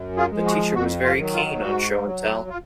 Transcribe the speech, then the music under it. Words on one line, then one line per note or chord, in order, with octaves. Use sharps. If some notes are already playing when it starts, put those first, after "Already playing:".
The teacher was very keen on Show and Tell.
Already playing: F#2
F4 G#4
F3 G#3
F#4
F2 F#4
F4
D#3 F#3
F4
G#2 F#4
F#3
F4